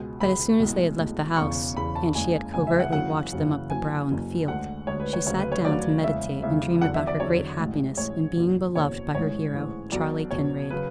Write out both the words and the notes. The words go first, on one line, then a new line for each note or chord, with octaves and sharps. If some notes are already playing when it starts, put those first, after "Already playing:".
But as soon as they had left the house, and she had covertly watched them up the brow in the field, she sate down to meditate and dream about her great happiness in being beloved by her hero, Charley Kinraid.
Already playing: C#2 B2 G#3
C#2 B2 G#3 B5
B1 A2 G#3
B1 A2 G#3
E1 E2 C#3 C#6
E1 E2 C#3 B5
A5
F#1 E2 C#3 G#3 G#5
F#1 E2 C#3 G#3 G#5
E5
F#5
F#1 F#2 C#3 E3 F#5
F#1 F#2 C#3 E3
F#1 F#2 E3 G#5
F#1 F#2 E3
D2 D3 G#3 F#5
D2 D3 G#3 C#5
B4
C#5
D2 C#3 F#3 C#5
B4
C#5
D2 C#3 F#3 D5
E2 C#3 G#3 E5
E2 C#3 G#3 E5
E2 D3 F#3 F#5
E5
D5
E2 D3 F#3 C#5
A1 A2 G#3
A1 A2 G#3 C#5
F#1 E2 B2
F#1 E2 B2 C#5
A1 G#2 E3 G#3 C#5
A1 G#2 E3 G#3
B1 B2 F#3 D5
B1 B2 F#3 C#5
C#3 F#3 B4